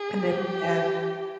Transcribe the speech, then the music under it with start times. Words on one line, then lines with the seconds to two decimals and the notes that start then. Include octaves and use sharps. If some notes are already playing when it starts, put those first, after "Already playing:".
And then we have,
Already playing: G#4
0.30 G4